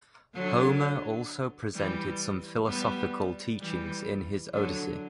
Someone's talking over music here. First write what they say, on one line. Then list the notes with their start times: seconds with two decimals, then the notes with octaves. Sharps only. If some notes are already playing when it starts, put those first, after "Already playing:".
Homer also presented some philosophical teachings in his "Odyssey".
0.35 D3 F#3
1.74 E3 G3
2.67 G3 B3
3.60 E3 G3
4.53 D3 F#3